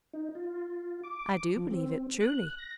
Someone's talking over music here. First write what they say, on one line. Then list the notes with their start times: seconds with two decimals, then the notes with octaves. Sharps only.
"I do believe it, truly."
0.13 D#4
0.35 F4
1.04 D6
1.56 F3
1.70 C4
2.20 F#6
2.58 A#6